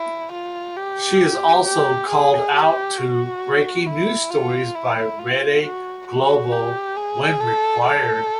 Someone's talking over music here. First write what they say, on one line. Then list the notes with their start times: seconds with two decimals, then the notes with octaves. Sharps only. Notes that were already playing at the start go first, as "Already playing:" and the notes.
She is also called out to breaking news stories by Rede Globo when required.
Already playing: E4
0.32 F4
0.77 G4
1.65 G4
2.09 G#4
2.53 G4
2.98 F#4
3.86 E4
4.31 F4
4.75 E4
5.19 F4
5.64 F#4
6.08 F#4
6.52 G4
6.97 G#4
7.40 A4
7.85 A4